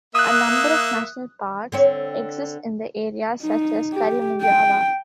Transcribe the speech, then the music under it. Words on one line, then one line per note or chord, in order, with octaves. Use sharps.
A number of national parks exist in the area such as Karimunjawa.
A#3 E5 D#6 F#6
D3 C4 C#5
D#4
G4
G5